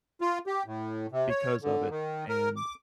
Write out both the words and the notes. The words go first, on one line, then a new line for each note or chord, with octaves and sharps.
because of it. And
F4
G4
A2
C3
C#5
D3
D#3
A#4
D6